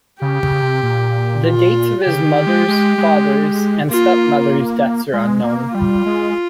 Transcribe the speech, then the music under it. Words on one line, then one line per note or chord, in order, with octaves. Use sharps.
The dates of his mother's, father's, and stepmother's deaths are unknown.
C#3 G4
C#3
C3
A#2
F4
C#3 G4
D#3
G#3
G#3
G#3
A#3 F4
G#3
A#3
G3 F4
G#3